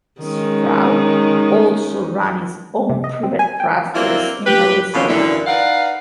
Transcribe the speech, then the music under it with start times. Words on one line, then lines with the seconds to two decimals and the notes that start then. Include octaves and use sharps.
Straub also ran his own private practice in Arizona.
0.21 D#3 G#3 C#4
2.89 C3
3.04 D#5
3.23 C4
3.39 G#5
3.60 G5
3.95 F#3 A#3 C4 D4 E4 F4
4.46 G4 B4
4.94 B2 D3 D#3 F3 F#3 C#4
5.09 F#2 A#2 D3 E3 E4
5.47 D#4 B4 D5 F5 F#5